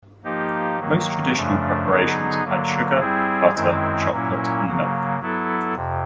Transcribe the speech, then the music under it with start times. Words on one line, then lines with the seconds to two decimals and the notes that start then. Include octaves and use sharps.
Most traditional preparations add sugar, butter, chocolate and milk.
0.24 F3 A#3 D#4 G4
0.80 D#3 F#3 A#3
1.34 F#2 C#3 F3 A3 D4
1.90 D3 F#3 B3 D#4 G#4
2.44 D3 F#3 A#3
3.00 G3 C4 E4 G#4
3.54 F#2 D#3 G#3 C4 E4
4.10 A#2 F#3 A#3 C#4 E4
4.64 C#3 F#3 A#3
5.20 F#3 B3 E4 A4
5.74 F2 C3